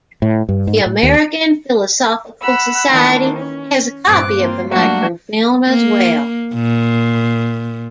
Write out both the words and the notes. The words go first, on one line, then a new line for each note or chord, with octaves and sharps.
The American Philosophical Society has a copy of the microfilm as well.
A2
G2
G#2
A2
D#2
F#5 B5 E6
D#3 E3 A#3 D4
C#4
G2 A#2 C4 D6 F#6
A#3 C4 F4
F#3 G3 A3 A#3 D4 F#4
A#3
A#2